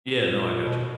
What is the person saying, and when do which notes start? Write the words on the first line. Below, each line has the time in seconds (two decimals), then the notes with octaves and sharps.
Yeah, no, I gotcha.
0.14 A#2
0.39 A#2
0.64 B2